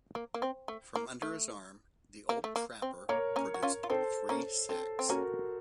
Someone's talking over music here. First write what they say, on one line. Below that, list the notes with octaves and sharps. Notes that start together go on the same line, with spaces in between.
From under his arm the old trapper produced three sacks.
A#3
A#3
C4
A3
A#3
A3
A#3
A3
A#3
C4
A#3 A#4 C#5
A#3 C#4
F#4
C#4 F4
F4
C4 D#4 A4 C5
A#3 C#4
C4 A4
C4
A#3 C#4 F#4 A#4